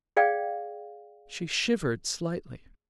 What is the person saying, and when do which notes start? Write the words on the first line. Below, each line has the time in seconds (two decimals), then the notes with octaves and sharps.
She shivered slightly.
0.17 G#4 D5 F5 G5